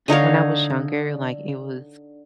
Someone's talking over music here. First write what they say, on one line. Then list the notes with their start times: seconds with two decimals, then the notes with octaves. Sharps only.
when I was younger, like, it was,
0.08 D3 D#4 C#5 F5